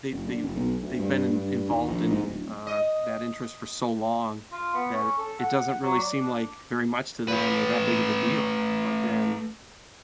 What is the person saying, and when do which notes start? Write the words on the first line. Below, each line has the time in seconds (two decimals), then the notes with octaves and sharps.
they they've they've been in involved in, uh, that interest for so long that it doesn't really seem like, very much to them or that big of a deal. But then,
0.11 F#1
0.27 D3
0.43 F#1
0.56 B1
0.82 D2
0.99 G2
1.32 G2
1.69 D#2
1.88 A#1
2.10 G#2
2.22 D1
2.67 D#5
4.52 F4
4.74 B3
4.93 C#4
5.17 A4
5.39 F#5
5.82 F#3
5.98 D5
6.20 D4
7.28 A3 B4